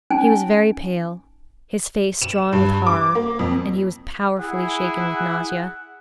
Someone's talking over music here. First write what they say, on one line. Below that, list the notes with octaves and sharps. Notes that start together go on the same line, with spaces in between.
He was very pale, his face drawn with horror; and he was powerfully shaken with nausea.
C#4 D#4 G#5
E7
G2
D6
A#3
F2
E4 G#4 F#5